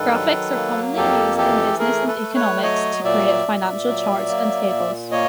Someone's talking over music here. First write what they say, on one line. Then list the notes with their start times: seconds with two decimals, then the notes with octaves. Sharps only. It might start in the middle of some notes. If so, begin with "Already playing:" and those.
Graphics are commonly used in business and economics to create financial charts and tables.
Already playing: G2 D#3 A4 B4
0.13 F#3
0.55 A#3
0.97 F2 G4 A4
1.38 E3 G4 A4
1.79 A3 G#4 A#4
2.07 A4 B4
2.21 A3
2.35 B4 C#5
2.62 F#3 C#5 D#5
3.04 A#2 D5 E5
3.46 A#2
3.87 F#3
4.29 A#3
4.70 A#2
5.11 A#3 C#5 D#5